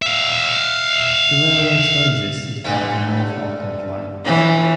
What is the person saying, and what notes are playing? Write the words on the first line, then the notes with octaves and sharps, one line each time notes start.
The railway still exists as part of the North Auckland Line.
E5 F5
G2 D3 A3
F2 E3 F3 C#4